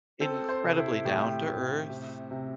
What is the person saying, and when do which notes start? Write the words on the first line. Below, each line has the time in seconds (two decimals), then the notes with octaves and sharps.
incredibly down-to-earth,
0.21 C4 A4
0.49 C5
0.63 C3
0.77 E4
1.05 A2 G4
1.47 A2
1.89 C3
2.31 C3